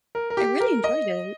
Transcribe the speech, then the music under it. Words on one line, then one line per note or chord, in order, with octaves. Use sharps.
I really enjoyed it.
A#4
A#4
G4
A#4
D#5